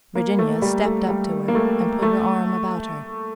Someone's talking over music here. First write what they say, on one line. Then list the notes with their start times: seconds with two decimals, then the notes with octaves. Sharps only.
Virginia stepped up to her and put her arm about her.
0.15 A#3
0.39 A3
0.62 G3
0.85 A3
1.08 G3
1.48 A#3
1.55 A3
2.02 A3